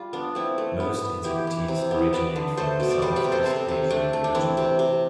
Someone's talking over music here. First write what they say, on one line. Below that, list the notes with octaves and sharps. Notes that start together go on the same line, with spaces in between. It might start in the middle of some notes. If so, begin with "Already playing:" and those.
Most insect teas originate from the Southeast Asian region.
Already playing: G3 F4
B3 D4
A3 C4 E4
A3
B3
B3
E3 E4 G4
E3
C3
B3
B3 B4 D5
D3
A3 A4 C5
B2
D5
G3 A4 C5
G4 B4
C3
A4 C5
C3 A4 C5
C3
A3 D4
A3
D4
E3 C4
C3
C3